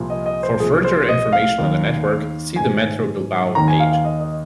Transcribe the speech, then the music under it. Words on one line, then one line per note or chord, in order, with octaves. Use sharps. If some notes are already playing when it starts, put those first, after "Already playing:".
For further information on the network, see the Metro Bilbao page.
Already playing: C2 A#2 F3
D#5
D#5
C5
C2 A#2 F3 G#4
C5
D#5
F5
D#2 D#3
G#2 D#3 G#5
D#2 D#3 A#5
G#5
F5
F5
D#5
D#5